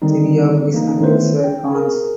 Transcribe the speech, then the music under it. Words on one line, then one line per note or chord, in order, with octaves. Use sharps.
Three of his uncles were khans.
D3 D#3 G3 C4 D#4
E3 A#3 D#4
D#3 A3 B3 E4 B4 C5
G5
G#4 A#4